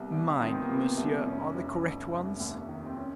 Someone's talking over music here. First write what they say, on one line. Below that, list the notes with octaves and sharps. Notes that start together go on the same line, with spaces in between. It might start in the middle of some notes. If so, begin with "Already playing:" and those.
"Mine, monsieur, are the correct ones."
Already playing: C2 C3 B3
C2
D#3 C4
B3
A#3
C3 B3
C2
F1 C#4
F1
F1
F1
D#2
D#3
C4
C#4